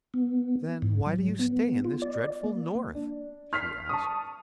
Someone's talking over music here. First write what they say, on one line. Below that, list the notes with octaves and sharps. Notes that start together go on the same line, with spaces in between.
"Then why do you stay in this dreadful North?" she asked.
B3
G#2
F#3
B3
F4
D5
A#3
D4
F6 B6 C7
A5 C#6 D#6